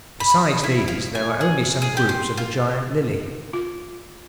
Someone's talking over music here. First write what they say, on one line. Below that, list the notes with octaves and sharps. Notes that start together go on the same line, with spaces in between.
Besides these there are only some groups of the Giant Lily.
B5
E4
F5
G#5
G#4
G#4
G4
C6
F4
F4